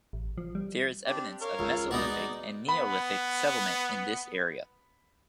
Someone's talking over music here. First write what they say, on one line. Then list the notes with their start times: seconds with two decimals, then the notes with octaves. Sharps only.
There is evidence of Mesolithic and Neolithic settlement in this area.
0.13 A1
0.38 F3
0.55 G3
1.06 C4 D4 G4
1.41 A#4 C#5 F5
1.59 C#2
1.91 G#3 B3 D#4 F#4 D5
2.69 B3 B5